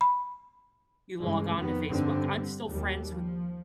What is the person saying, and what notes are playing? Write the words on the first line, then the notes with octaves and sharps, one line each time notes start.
you log on to Facebook I'm still friends with
B5
G2 C#3 E3 G#3
F2 D#3 B3
G2 D3 G3 C4
D#2 F#3 G3
F3